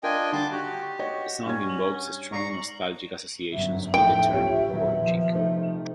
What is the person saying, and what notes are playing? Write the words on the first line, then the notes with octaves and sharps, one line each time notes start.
The song invokes strong nostalgic associations with the term Poruchik.
D4 F4 A#4 D#5 G5 G#5
D3 G3 A5 C6 D6
F#4 G4 F#6
F#4 C#5 D#5
G2 C#4 D4 G#6
G#2 D5 A#5 C#6 C7
G1 F#2 E5
A1 F2 A3 D#4 G5
D2 F4 G4 C#5
E2 A#2 D#3 F#3
F3
C3 A3 D#4